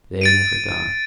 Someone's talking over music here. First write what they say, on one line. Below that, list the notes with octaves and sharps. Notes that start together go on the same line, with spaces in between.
They never die.
A6 D7 D#7